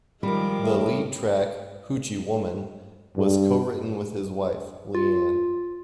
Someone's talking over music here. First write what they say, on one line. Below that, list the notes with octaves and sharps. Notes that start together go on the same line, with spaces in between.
The lead track "Hoochie Woman" was cowritten with his wife, Leann.
D#3 F3 G3 G#3 A#4 D6
A2
G2
F4